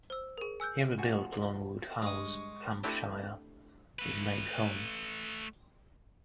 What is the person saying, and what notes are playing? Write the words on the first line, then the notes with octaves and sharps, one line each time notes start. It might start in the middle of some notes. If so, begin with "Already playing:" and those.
He rebuilt Longwood House, Hampshire, his main home.
C5 E6
G#4 A#4
G#5 E6 F#6 G6
A#1 C3 F4 F#4 G#5
G2 G#3 C#6 D#6
A3 C4 D4 E4 G4
A3 B4